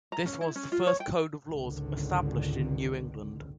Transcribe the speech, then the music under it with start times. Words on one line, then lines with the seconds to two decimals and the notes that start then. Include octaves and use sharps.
This was the first code of laws established in New England.
0.12 A#5
0.26 C#4
0.41 E4
0.56 C#4
0.72 F4
0.87 C#5
1.00 G5
1.50 G#1 C#2 D3 D#3